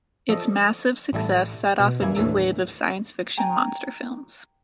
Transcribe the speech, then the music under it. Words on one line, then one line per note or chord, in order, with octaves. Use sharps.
Its massive success set off a new wave of science-fiction monster films.
F3 A4 D5 D#5
A1 G3 E4 A4
B2
F#2 E3 A#3 E4 G#5
D#2 A2 E3 D4 A4
G5 G#5 A#5